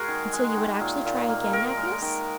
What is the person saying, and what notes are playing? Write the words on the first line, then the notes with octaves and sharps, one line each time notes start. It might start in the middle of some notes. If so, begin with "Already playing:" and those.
'And so you would actually try again, Agnes?'
Already playing: G#3 F#4 G#4 A#4
D#3
G#3
D#3
A#2
A#2
A#3
D#3 A#4
G#3
D#3